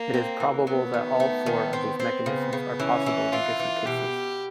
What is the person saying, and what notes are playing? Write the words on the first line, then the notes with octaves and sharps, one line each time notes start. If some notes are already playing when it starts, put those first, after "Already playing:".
It is probable that all four of these mechanisms are possible in different cases.
Already playing: A#3
C4
E3
F#3 B3
D#3
A3
D#3
C4
C4
C#3 B3
C#3
E3 C#4
E3
E3 F4
E3
B2 G4